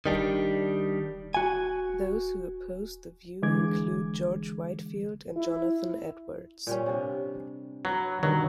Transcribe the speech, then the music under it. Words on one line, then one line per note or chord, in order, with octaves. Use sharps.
Those who opposed the view include George Whitefield and Jonathan Edwards.
D#3 G3 D4
F#4 G#5
D3 E3 G#3 G#4 D6 G#6
E4
A#2 G3 C#4
C3 D4
F#3 B4 F#5
G2 B2 D#3 F#3